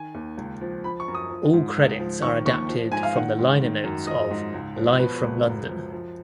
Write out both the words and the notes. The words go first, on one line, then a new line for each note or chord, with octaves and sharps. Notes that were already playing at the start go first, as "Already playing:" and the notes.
All credits are adapted from the liner notes of "Live from London".
Already playing: D#3 G#5
D#2
C#2
F3
F3 B5
C#6
F#2
D#6
F3
G#2
C#2
F3
D#3 C#6
D#2 C#6
F3
G#2 G#5
F5
D#3 F#5
G#2
D#3
F#2
F3 D#5
G#2
C#2
F3
B2 B4
C#2
F#2
F3
F3